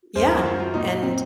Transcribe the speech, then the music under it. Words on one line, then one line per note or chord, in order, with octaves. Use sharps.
yeah, and
F#2 C5
F#2 A#4
F#4
F#3 F4
F#3 F4
A#2 D#4
F#3
F#3 C4